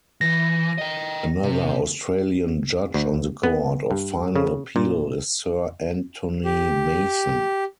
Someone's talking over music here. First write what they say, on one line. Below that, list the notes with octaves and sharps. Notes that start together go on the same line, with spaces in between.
Another Australian judge on the Court of Final Appeal is Sir Anthony Mason.
E3 A#6
D#5 G5
C3
D2
B3
G2
C#3
A#2
G4